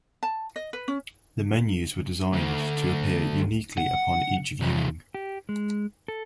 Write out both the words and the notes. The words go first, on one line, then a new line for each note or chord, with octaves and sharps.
The menus were designed to appear uniquely upon each viewing.
A5
D#5
B4
C#4
D2
F#5
C3 E3
G4
G#3
A4